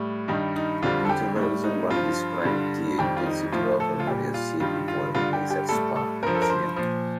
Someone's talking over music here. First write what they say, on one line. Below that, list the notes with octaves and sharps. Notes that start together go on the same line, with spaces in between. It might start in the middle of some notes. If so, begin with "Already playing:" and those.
Peter Revson once described the intensity of Mairesse before a race at Spa, Belgium.
Already playing: A2 G3
G2 D#3 G3 D#4
D#4
F2 D3 G3 F4
A4
G4
A2 G3
D#4
G2 F3 F4
G2 D3 G3
F2 D#3 G3 G4
F4
D#4
A2 F3 F4
A4
F4
A#2 G3 G4
F4
G2 D#3 G3 F4
F4
G2 D3 G3 F4
G4
G4
A2 G3 A4
A4
G2 F3 A#4
A4
A#4
C5
A#2 F3